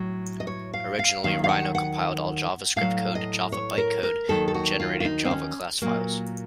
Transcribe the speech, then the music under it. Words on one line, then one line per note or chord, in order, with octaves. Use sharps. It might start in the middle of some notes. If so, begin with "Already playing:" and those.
Originally, Rhino compiled all JavaScript code to Java bytecode in generated Java class files.
Already playing: A2 F#3
D#5
C#5
F5
F5
D#2 D#3 F#3 F5
F5
F#5
F#5
A2 F#3 F5
D#5
C#5
A#4
A#4
D#2 D#3 F#3 A4
A4
F#4
F4
F4
D#4
C4
C#4
A#2 F#3 A#3